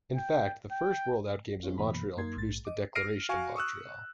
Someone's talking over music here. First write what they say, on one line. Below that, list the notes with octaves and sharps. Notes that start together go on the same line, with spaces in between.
In fact, the first worldOutgames in Montreal produced the Declaration of Montreal.
G5
G5
G#3 C4 C#4 F4
F#2 B2 E3 A#3 B5
F#2 A#3 D#4 C6 G#6
A#1 G#2 A6
D#5 D6
F6 A#6 C7 D7 D#7
F#4 F5 G#5 C#6
C#6 D#6 E6 F#6